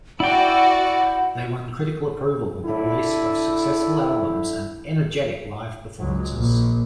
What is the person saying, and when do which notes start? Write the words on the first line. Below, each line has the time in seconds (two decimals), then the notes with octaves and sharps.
They won critical approval with the release of successful albums and energetic live performances.
0.20 E4 F#4 D5 F#5 G5
2.65 D3 E4
6.00 C#2 F#3
6.34 A#1